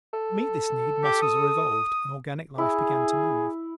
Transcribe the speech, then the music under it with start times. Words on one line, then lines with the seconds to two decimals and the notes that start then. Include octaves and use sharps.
To meet this need muscles were evolved, and organic life began to move.
0.13 A4
1.04 G4
1.22 D#6
2.58 E4 G#4